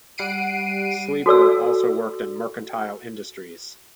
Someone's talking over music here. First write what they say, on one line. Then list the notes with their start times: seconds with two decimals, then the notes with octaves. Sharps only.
Sleeper also worked in mercantile industries.
0.18 G3 F#5 C7 D7 D#7
1.26 F#4 A4 D5 E6